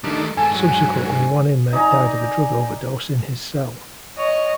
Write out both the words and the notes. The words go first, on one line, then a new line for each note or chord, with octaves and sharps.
Subsequently, one inmate died of a drug overdose in his cell.
D#3 G3 A3 D4
G2 G#3 A4 G#5
F#3
D#4 D5 G#5 A#5
C#5 D#5